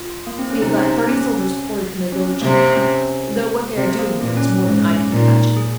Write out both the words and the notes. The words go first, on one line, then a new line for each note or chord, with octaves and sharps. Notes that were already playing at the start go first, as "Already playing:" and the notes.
We have got thirty soldiers quartered in the village now, though what they are doing here is more than I can imagine.
Already playing: F4
A#3
C4
C#4
C3 D#4
C4
C#4
C#4
C4
C3 A#3
C4
C#4
C3 C4
A#3
A#2 C4
C#4
G#2 C#4
C#4
A#2 D#4
G#4